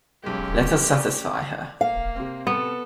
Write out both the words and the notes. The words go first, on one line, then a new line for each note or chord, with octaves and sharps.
Let us satisfy her.
B1 G#3 C#4 G4
D5
A#3 F5
C3 C4
B3 A4